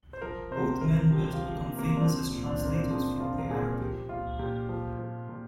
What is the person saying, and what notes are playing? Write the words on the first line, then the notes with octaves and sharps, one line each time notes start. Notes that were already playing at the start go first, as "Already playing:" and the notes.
Both men were to become famous as translators from the Arabic.
C5
F3 A#4
C3 C5
C3 A#4
F3 G4
G4
F4
F3
A#3
C3
A#3
D4
F3 C4
A#2
D4
C4
A#2 A#3
C4
F3 C4
F3 F4
A#4
A#2 G#4
F3 G4
A#2 F4
A#2 G4
F3
F3
A#2